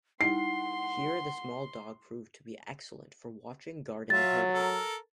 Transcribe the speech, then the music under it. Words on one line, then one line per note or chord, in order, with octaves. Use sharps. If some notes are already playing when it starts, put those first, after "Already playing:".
Here the small dog proved to be excellent for watching, guarding and herding.
G3 D#4 E4 F#5 C6 C7
F#3 F4 E5 A6
A4 A#4